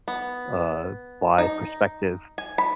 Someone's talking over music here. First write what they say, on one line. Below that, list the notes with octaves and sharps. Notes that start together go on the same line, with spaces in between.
uh, by perspective,
B3
D#4
G#5
B5